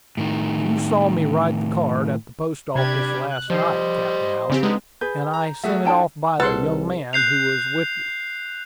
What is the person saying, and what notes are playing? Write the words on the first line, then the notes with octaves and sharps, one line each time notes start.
"You saw me write the card at the post-office last night, Captain Alick: and I sent it off by the young man who was with you."
A2 D#3
C3 D4 G4 B5 G#6
F#6
F3 G3 C5 D#5
C#3 C4 G4
D3 G#3 B3 D#4
G#4 B4 G6
A#5
F#3 A3 F#4 G#4 E5
D4 E4 A4 G5 A5
C2 G#4 A4 B4 F#5 C6
F#6 G6 C7 F7